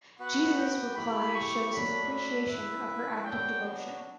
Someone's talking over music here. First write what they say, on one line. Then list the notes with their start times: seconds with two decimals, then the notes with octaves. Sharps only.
Jesus' reply shows his appreciation of her act of devotion.
0.19 B3 F#4 B4 F#5
0.57 G5
0.95 A3 E4 G4 B5
1.34 C#6
1.72 F#3 A3 D4 B5
2.10 B5
2.48 E4 B4 E5
3.25 F#3 B3 D4 F#4 G5